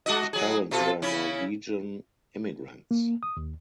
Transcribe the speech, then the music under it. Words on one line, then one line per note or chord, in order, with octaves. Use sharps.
His parents were Norwegian immigrants.
G#3 F#4 D#5
F#3 G#4
B2 F4 A4
C#3 C#4 E4
A#3
D#6
D#2